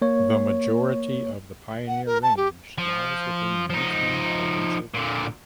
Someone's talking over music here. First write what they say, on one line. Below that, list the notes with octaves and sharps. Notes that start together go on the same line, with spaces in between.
The majority of the Pioneer Range lies within Monkman Provincial Park.
A#3 C#5
F#5
A#4
A5
G4
F3
F3 D#4
A#2 D3